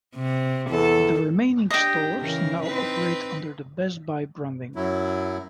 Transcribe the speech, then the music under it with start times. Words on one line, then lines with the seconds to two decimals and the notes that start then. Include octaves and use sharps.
The remaining stores now operate under the Best Buy branding.
0.16 C3
0.70 E2 A4
1.71 D4 G4 D#5 G5
2.20 C#3 E3 A#4
2.63 C4 D#4 B4
4.76 F#2 F#3 E4